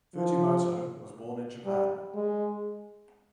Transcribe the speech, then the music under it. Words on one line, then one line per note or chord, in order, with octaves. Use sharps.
Fujimoto was born in Japan.
F3
G3
G#3